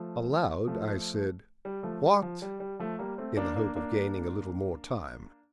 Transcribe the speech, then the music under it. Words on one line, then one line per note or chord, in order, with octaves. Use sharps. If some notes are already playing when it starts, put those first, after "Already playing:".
Aloud I said, "What?" in the hope of gaining a little more time.
Already playing: F3 A3
F3 A3
G3
F3 A3
G3
F3
G3
G3
F3 A3
G3 A#3
A3 C4
A#3 D4
A#3 D4
A#3 D4